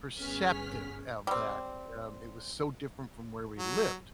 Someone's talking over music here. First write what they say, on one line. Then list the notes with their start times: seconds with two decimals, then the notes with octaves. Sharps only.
perceptive of that, um, it was so different from where we lived,
0.18 G1 B3 C#4 G#4 F6 B6
1.27 G3 C4
3.59 F#3